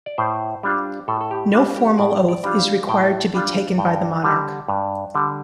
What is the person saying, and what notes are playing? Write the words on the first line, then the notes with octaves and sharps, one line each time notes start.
No formal oath is required to be taken by the monarch.
D5
A2 C5
G3 D4 F4
A2 A4
A4
G4
G3 D4 F4 G4
G4
A2 D5
D5
G3 D4 F4
F5
A2 G5
G3 D4 F4
G2 G5
D3 G3
G2
D3 G3